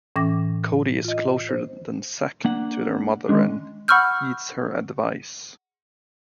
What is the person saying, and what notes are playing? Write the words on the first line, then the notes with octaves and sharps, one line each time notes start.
Cody is closer than Zack to their mother and heeds her advice.
A2 E3 C#4 G5 D6 A#6
F4 D#5
C5
A#3 D4 F#5
D#3 G#3 C#4 D4
F#5 B5 C#6 E6 F6 G6